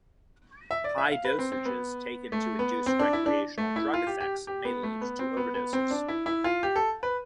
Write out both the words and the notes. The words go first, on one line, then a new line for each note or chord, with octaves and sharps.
High dosages taken to induce recreational drug effects may lead to overdoses.
E5
D5
E5
F5
B4
C4
C4
B3
A3
B3
C4
D4
E4
D4
A3
E4
F4
G4
G4
G4
B3
A3
B3
C4
B3
B3
C4
D4
E4
E4
F4
G4
A4
B4